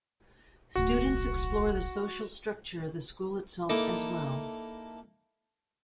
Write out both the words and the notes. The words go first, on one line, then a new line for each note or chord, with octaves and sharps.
Students explore the social structure of the school itself as well.
D1 B1 F#4
A#3 D#4 E4 A4 A5 D6